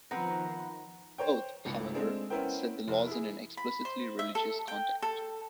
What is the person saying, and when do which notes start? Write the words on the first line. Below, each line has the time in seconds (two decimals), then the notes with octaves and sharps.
Both, however, set the laws in an explicitly religious context.
0.11 D#3 F3 B3 C4 B4 A#5
1.18 C5 C#5 G5
1.65 G#1 C#2
1.94 G#3 A3 C4 D4 G#4
2.30 B3 C#4 E4 A#4 C5 G5
2.87 F1
3.07 E4 G#4
3.57 B5
3.85 C5
4.19 E5
4.35 A4
4.68 G5
5.02 A4